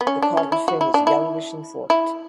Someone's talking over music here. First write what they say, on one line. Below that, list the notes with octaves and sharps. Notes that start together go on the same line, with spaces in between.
The caudal fin is yellowish and forked.
B3
C#4
D4
C#4
E4
F#4
E4
D4
E4
E4